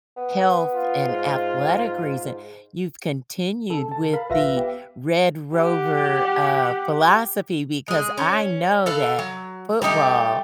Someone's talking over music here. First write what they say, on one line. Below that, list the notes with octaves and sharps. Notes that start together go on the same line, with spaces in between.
health and athletic reason, you've continued with the Red Rover, uh, philosophy because I know that football
B3
F4
G#2
C#3 A4
A5
A#4 F5 B5
A#1 F4 B4 E5 F5 A#6
B3 G4
G4 F#5
G#3 G#4
C#4
A4 B4 F5
F#3
G3 A3 D#4 G4